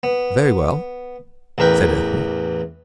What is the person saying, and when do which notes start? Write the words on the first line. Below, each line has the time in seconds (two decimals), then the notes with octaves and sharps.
"Very well," said Ethne.
0.03 B3
1.58 A1 E2 A#4 B4 G5